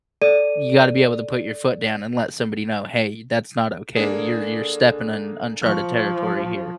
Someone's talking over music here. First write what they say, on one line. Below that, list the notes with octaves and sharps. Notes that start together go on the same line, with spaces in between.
you gotta be able to put your foot down and let somebody know, "Hey, that's not okay. You're you're stepping on uncharted territory here."
A4 D5 D#7
D3 A#3 D4 G#4
F3 C#6 F6